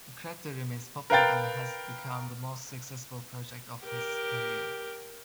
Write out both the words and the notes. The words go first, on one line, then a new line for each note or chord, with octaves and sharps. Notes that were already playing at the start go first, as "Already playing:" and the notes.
The character remains popular and has become the most successful project of his career.
A#4 B4 F5 G5 A6
G4 A#4